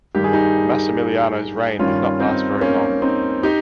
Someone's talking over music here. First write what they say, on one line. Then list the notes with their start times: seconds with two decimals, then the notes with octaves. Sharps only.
Massimiliano's reign did not last very long.
0.15 G2 D#3 G4
0.24 G#4
0.33 D#4 G4
1.79 G2 D#3 C#4 F4
2.20 C4 D#4
2.61 A#3 C#4
3.02 C4 D#4
3.43 D#4 G4